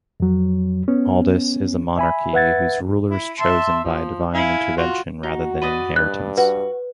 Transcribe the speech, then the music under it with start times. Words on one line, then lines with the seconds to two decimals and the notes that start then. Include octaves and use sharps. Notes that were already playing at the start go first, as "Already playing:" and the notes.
Aldis is a monarchy whose ruler is chosen by divine intervention rather than inheritance.
0.20 F2 F#3
0.88 B3 C#4
1.97 E5 G#5 B5
2.33 B4 E5 F#5 G#6 A6
3.10 E4
3.39 E5 A5 C6
3.84 F3
4.34 E4 F5 G#5
4.77 F4 F#4
5.23 D#4 F#4
5.62 B4 D5 D#5
5.96 G2 F#6
6.37 F#4 B4